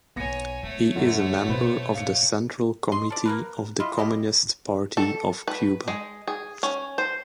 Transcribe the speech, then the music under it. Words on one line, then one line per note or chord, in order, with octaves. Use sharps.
He is a member of the Central Committee of the Communist Party of Cuba.
B1 B3 C#5 G#5 A#6 C#7
G#3 A3 C#5
F#2 D3 F#4
B2 B3 B4 C5
F5 C#7
D#5 C6
A4 D5
A#3 A#4 B4
E4 F4 D#5
C#3 E4 G4 D#5
A4
B4
G#3
G#4
C#4
C5